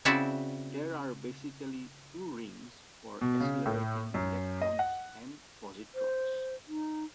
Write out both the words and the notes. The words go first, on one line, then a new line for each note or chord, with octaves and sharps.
There are basically two rings for accelerating electrons and positrons.
C#3 C4 E4 F#4 D5 E5
B2
C#3
A2
F#2
D#5
F#5
C5
D#4